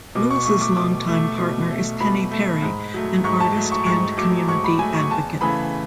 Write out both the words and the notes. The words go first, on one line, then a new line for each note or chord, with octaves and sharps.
Louis' long-time partner is Penny Parry, an artist and community advocate.
B2 D6
C#6
A3 C#6
D6
B2 D6
A3
B2
A3
B2 B5
A3
G#2
F#3 A3
G#2 C#6
A5
F#3 A3
C#6
G#2 C#6
F#3 A3 D6
G#2 C#6
B5
F#3 A3 G#5
C#6
E2 A5
C#3 E3 A3 B5